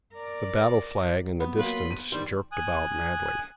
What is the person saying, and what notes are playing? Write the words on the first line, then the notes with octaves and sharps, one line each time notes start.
The battle flag in the distance jerked about madly.
A#4 D5
B3
F#3 A#3 F4 B4
D#7
D#3 G3 C5
G#5 D#6 F#6